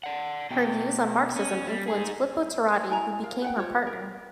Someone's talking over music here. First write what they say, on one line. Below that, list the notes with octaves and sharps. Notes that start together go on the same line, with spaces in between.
Her views on Marxism influenced Filippo Turati, who became her partner.
D5 F#5
B2 G5
C#4
G3
D#4 G#4
E4 G#5 A#5
A#4 F5
B4 F#5 G5
F4 C5 C#5
A#4